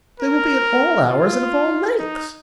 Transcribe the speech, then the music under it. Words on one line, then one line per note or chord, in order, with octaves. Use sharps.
They will be at all hours, and of all lengths.
A#4
F4
D#4